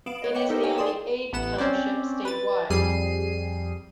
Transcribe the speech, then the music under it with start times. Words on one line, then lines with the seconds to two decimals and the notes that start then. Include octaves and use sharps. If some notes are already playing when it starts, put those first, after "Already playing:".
It is the only Aid Township statewide.
0.06 B3 F5 D7 E7 F#7
0.22 B4 C#5 D#5
0.34 G5 D6 C#7 E7
0.49 D#4 G4 A4 A#4 C5 D#5
0.63 C#5 G5 G#5
0.78 G#4 D5 C6 D#6 E7
1.33 A1 B3 F#5 E7
1.58 C4 C#4 C5 D5
2.25 B4 A6
2.70 F2 G3 G#4 C7 D#7